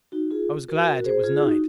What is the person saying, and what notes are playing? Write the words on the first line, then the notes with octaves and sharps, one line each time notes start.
I was glad it was night.
D#4 F#4
F4 G#4
F#4 A#4
F#4 A#4
G#4 C5
F4 G#4
D#4 F#4